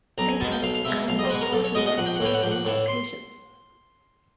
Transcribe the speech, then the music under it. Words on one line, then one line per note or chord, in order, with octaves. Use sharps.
It has become a popular surfing location.
B1 A#5
G#5
B2 G#3 A5
G5
B1 F5
F5
B2 G#3 E5
E5
B1 F5
D#5
C5
B2 G#3 B4
A#4
B1 A4
C#5
B2 G#3 D#5
D#5
A#1 F#5
G5
F#5
A2 E3 G5
F#5
A#1 G5
F#5
A2 E3
C6